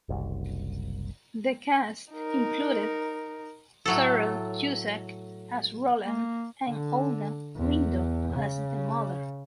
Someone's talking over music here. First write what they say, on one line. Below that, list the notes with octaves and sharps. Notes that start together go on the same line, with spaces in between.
The cast included Cyril Cusack as Roland and Olga Lindo as The Mother.
F#1 C2
D#4 A#4
A2 F#3 A4
A#3
D3
E2
C#3